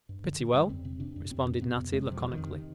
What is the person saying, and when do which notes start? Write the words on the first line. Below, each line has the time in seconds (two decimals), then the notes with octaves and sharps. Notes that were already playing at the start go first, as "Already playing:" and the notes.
"Pretty well," responded Natty laconically.
0.09 G2
0.24 D3
0.39 D3
0.54 G2
0.69 F2 C4
0.85 C3
1.00 C3 D4
1.16 F2
1.31 F2 C4
1.45 C3
1.61 C3 B3
1.76 F2
1.92 F2 G#3
2.06 C3 F3
2.22 C3
2.32 D#3
2.38 F2